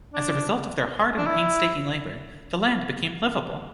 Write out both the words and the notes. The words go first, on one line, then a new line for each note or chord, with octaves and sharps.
As a result of their hard and painstaking labor, the land became livable.
D4
D4
E4